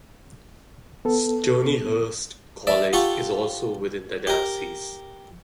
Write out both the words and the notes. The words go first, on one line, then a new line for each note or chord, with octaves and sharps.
Stonyhurst College is also within the diocese.
B3 A4
D5 E5
F4 G4 A4 F#5 C#6
G4 A#4